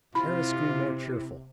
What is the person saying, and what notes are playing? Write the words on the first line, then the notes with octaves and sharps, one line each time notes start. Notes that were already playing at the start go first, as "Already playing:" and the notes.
Harris grew more cheerful.
C3 E4 F4 B5